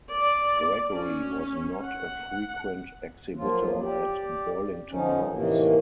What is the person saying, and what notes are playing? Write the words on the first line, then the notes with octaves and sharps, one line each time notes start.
Gregory was not a frequent exhibitor at Burlington House.
D5
C#4
F#5
F3 F#3 A#3 F4
G4 D5
D3 F3 C#4 D#4
A2 C3 D#3 E3 A#3